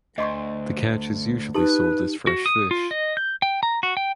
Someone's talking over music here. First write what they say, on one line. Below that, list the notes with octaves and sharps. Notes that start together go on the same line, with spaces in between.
The catch is usually sold as fresh fish.
D2 D#5 C6 C#6
D#4 G4 A#4 B4 A5
F#4
D#6
F4
D#5
G6
G5
A#5
F#4
G5